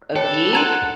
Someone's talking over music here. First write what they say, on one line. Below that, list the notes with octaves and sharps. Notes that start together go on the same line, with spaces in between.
a gig?
D4 G4 A4 B4 C#5 G5
F#5 A5 A#5 C6 G#6 D#7